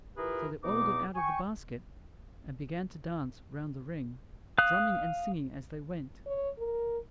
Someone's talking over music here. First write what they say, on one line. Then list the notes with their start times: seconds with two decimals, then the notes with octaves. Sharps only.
So they all got out of the basket, and began to dance round the ring, drumming and singing as they went.
0.17 E3 F4 G4 G#4 A#4 B4
0.62 E2 B2 B3 D#4 D6
1.15 G5 G#5 C#6
4.58 F5 D#6 F#6
6.26 C#5
6.58 A#4